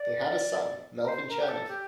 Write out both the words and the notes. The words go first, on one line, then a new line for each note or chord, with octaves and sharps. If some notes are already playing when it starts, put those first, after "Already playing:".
They had a son, Melvin Chernev.
Already playing: D5
A#4
C5
A#4
G4
A4
G4